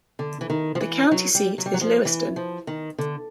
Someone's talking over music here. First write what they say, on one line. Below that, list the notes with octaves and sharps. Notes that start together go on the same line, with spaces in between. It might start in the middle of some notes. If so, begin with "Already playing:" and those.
The county seat is Lewiston.
D3
E3
D#3
F3
E3
F#3
G3
F#3
G3
F#3
F3
E3
F3
D#3
D3